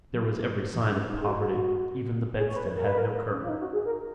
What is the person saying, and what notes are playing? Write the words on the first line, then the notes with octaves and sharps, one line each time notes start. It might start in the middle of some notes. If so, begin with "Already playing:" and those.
There was every sign of poverty; even the bedstead had no curtain.
F3
F#3
G#3
F3
C#4
D#4
G#4
F#4
G#4
F#4
G#4
C#5
B4
A#4
B4
A#4
B4
C#4
F4
D#4
F#4
G#4
A#4